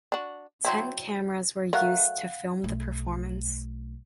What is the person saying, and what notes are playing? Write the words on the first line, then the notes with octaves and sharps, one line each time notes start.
Ten cameras were used to film the performance.
D4 F#4
F#3 C4 E4
F#3 A3 A#4 F5 F#5 F#6
B1 A3